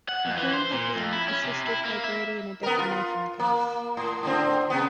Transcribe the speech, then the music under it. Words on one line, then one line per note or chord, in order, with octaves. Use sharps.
Ahern had been assisted by Brady in a defamation case.
F#5
F2
E3
C5
A#2
F2
E4
C#4
C3
E4
A#3
E5
B3 A#4
F4
A#3
A2
A2 D3 C4
C3 B3